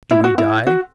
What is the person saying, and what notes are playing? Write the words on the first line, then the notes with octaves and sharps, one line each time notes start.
Do we die?
E4
F#4
E4
F#4